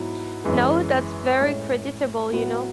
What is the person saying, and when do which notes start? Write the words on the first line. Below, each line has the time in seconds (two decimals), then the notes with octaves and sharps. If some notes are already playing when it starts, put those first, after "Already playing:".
Now that's very creditable, you know.
Already playing: G#2 F#3 B3 E4
0.44 F#2 E3 G#3
1.38 A2 G#3 C#4
2.31 A2 F#3 B3 F#4